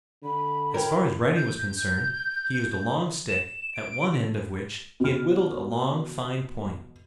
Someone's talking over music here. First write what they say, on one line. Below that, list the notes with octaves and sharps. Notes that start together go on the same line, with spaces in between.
As far as writing was concerned, he used a long stick at one end of which he had whittled a long, fine point.
D3 B5
A#4 C5 C#5 G5
G6
E7
D7
B2 F6